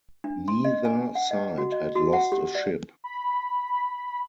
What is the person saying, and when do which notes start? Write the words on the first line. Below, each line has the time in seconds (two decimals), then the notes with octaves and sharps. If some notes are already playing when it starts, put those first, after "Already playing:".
Neither side had lost a ship.
0.24 D4
0.48 C6
0.65 D#5
0.85 G#5
1.15 F#5
1.31 D#5
1.58 F#4
1.72 D#5
1.96 F#4
2.13 F#5
2.32 G4
2.55 D5
3.04 B5